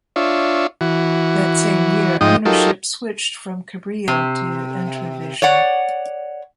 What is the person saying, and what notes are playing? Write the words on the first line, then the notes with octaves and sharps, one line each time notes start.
That same year, ownership switched from Cabrillo to Entravision.
D4 F4 C#5 E5
E3 F#4
G#2 F3 D#4 G5 D#6
F#3 D#4 F4 G4 A4 A#4
C3
C#5 D5 F#5